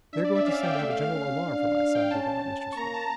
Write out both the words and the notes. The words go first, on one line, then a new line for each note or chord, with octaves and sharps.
"They are going to send out a general alarm for my son," bewailed Mr. Swift.
D4 E5
D5
E5
C#4 F5
G5
A3 E5
F5
F5
C#4
D4
F5
G5
C#4 A5
C#4
C#6
A#3 A#5
A5